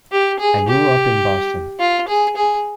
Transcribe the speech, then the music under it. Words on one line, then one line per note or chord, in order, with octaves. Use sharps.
I grew up in Boston.
G4
G#4
G4
F4
G#4
G#4